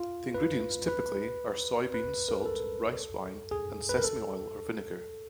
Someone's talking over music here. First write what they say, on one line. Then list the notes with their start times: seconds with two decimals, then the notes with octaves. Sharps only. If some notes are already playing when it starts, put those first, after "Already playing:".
The ingredients typically are soybeans, salt, rice wine and sesame oil or vinegar.
Already playing: F4
0.34 B4
0.88 B4
1.94 B4
2.29 A#4
2.46 A4
3.51 G#4
3.89 B4
3.97 A#4
4.04 A4